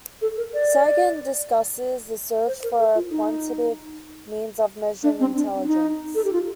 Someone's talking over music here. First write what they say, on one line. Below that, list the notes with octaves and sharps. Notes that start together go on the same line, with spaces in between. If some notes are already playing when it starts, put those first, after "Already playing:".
Sagan discusses the search for a quantitative means of measuring intelligence.
A4
A#4
D5
C5
A#4
A4
F4
D#4
D4
C4
D4
D4
D#4
A4
G4
F4